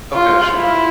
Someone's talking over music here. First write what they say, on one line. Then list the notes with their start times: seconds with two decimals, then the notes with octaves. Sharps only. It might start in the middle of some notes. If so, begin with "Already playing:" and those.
Okay, sure.
0.13 F4
0.56 E4